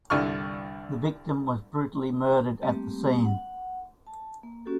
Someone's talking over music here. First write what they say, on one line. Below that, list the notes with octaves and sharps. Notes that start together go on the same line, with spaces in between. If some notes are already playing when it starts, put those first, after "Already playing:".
The victim was brutally murdered at the scene.
C2 G2 D3 E4 C#6 F6
G3 A3 A#3 C4 G4
F#5
A5
A#3
A#3 C#4 F#4 G4 A4